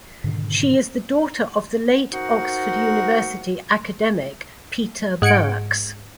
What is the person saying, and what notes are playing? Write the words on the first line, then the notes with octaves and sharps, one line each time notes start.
She is the daughter of the late Oxford University academic Peter Birks.
G#2 B2 D3 D#3
D#4 F#4 A#4 C5 F#5
G#2 F#5 G#6 C#7 D7